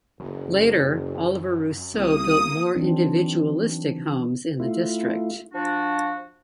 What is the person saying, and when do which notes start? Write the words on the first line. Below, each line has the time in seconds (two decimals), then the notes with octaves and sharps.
Later, Oliver Rousseau built more individualistic homes in the district.
0.20 F#1 F#2
1.94 C2 A#3 D#6
2.75 E3 F#3 C4 D4 D#4
4.60 A3 E4 F4
5.54 F3 D4 F#4